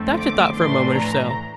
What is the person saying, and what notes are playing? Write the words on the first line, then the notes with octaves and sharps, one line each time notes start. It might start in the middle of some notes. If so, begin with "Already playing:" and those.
The doctor thought for a moment or so.
Already playing: F2 D3 A3 C4
D6
A2 E3 A3 D4 C6
A#5